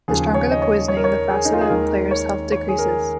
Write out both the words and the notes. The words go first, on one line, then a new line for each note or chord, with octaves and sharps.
The stronger the poisoning, the faster the player's health decreases.
D#2 C#3 F3 G#4
C#5
D#5
C#5
C#5
A#4
C#5
G#4
D#4
F4
G#4
D#2 D#3 G#3 A#4
C#5
C#5
G#4
A#4